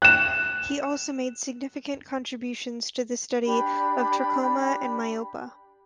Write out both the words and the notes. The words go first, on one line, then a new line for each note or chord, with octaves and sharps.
He also made significant contributions to the study of trachoma and myopia.
F#6 E7
D4 G4 B5